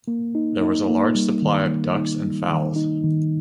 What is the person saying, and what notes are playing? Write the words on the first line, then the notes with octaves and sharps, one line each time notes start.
There was a large supply of ducks and fowls.
A#3
D#4
D#4
A#3
G3
D#3
A#3
D#4
G3
D#3
D#4
D#3